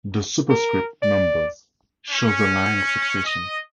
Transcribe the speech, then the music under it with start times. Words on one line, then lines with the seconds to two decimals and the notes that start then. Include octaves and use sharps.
The superscript numbers show the line of succession.
0.50 A#4
1.02 D5
2.10 C#4
3.24 D#5